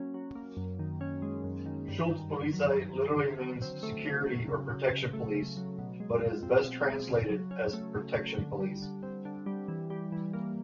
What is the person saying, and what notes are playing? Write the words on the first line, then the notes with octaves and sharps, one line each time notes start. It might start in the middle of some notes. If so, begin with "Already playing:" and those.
"Schutzpolizei" literally means security or protection police but is best translated as Protection police.
Already playing: F#3 A#3 C#4
F#3
A#3
F#2
D#3
C#4
G#3
F#2
D#3
G2
D#3
G2
F#3
G2
D#3
D3
F#3
C4
A3
D3
F#3
C#3
F#3
C#3
A3
C#3
F#3
B2
G#3
F4
C4
B2
G#3
C#3
F#3
C#4
A3
C#3
F#3
D3
G3
D3
C4
D3
G3
E3
G3
E3
A#3